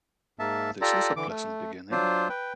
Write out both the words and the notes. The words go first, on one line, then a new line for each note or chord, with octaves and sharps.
This is a pleasant beginning.
G#2 A#3 E5 A5
F4 G4 A4 D5 A#5
D3 E3 D6
A3
F#3 D4 F4 C5
B4 G5